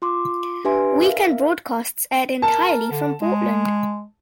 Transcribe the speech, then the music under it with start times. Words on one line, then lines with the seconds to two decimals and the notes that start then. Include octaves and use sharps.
Weekend broadcasts aired entirely from Portland.
0.02 F4 C6 D6
0.65 D4 G4 B4 E5 G#5 C6
1.03 A#4 E5 F5
2.42 A#4 A5
2.91 D3
3.21 G#3